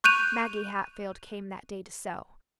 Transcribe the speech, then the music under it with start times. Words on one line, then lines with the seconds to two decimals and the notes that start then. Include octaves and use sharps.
Maggie Hatfield came that day to sew.
0.04 C#6 F#6 G6 D#7 F7